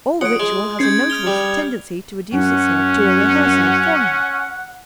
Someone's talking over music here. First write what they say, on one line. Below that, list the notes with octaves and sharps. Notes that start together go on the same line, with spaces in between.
All ritual has a notable tendency to reduce itself to a rehearsal of formulas.
F4 C#5 F#5 D#6 D7
G#3
C#4 G6 G#6 C7 C#7
F6 F7 G7
G3
F#2 C#4 F#5